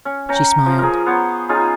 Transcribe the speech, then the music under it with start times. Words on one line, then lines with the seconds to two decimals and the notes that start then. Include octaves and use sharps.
She smiled.
0.05 C#4
0.29 C#4 G5 A#5
0.66 F3
0.79 G#4 A#4
1.06 B3 C5 C#5
1.49 C#4 D#4 F4 G#4